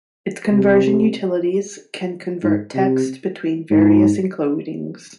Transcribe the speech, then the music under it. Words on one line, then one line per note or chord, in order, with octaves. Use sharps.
Its conversion utilities can convert text between various encodings.
C3
G#2
C3
G#2